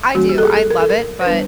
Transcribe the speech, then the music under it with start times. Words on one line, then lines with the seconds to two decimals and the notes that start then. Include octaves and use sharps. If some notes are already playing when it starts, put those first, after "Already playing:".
I do, I love it, but
0.15 E3 G3 A#3 C#4 F#4
0.29 G4
0.38 A4
0.43 G#4
0.57 A4
0.70 A#4
0.80 A4
0.90 A#4
1.21 C5
1.26 G3 B3 D4 B4